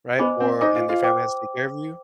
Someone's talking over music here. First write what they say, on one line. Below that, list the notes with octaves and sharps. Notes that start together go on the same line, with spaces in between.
Right? Or and their family has to take care of you
B3 C5 D#5 G#5 D6
C4
D#4 C5 D#5 G#5 D6
F4
F4
C5 G5 D6